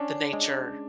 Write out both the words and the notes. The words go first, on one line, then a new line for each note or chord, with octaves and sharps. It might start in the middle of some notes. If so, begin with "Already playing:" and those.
the nature
Already playing: C#4 D4
G#3